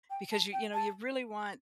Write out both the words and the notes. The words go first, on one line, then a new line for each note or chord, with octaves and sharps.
because you you know, you really want
G5
A5
G5
A5